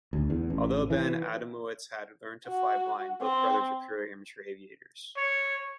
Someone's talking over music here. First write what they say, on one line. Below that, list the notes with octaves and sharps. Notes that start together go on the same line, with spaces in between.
Although Ben Adamowicz had learned to fly blind, both brothers were purely amateur aviators.
D2
E2
A1
E3
F#4
C4
C#5